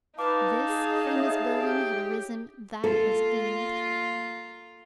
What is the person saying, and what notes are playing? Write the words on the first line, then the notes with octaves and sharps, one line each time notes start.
This famous building had arisen, that was doomed.
D#4 B4 F5 A5 D6
G#4
C#5 E5 D#6
G4
A#3 F4 A4